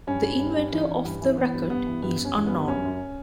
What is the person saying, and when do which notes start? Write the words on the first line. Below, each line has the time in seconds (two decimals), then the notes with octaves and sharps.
The inventor of the rackett is unknown.
0.07 G2 C#4
0.24 G2
0.40 G2
0.57 G2
0.73 E3
0.89 E3
1.05 G2
1.22 E3
1.37 E3 B3
1.54 G2
1.70 G2 B3
1.87 E3
2.02 G2 B3
2.19 G2
2.25 C#4
2.36 E3
2.46 B3
2.52 G2
2.68 F#2 C#4
2.85 F#2